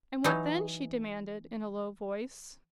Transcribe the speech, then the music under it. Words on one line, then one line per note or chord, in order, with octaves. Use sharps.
"And what then?" she demanded, in a low voice.
E3 F#3 D#4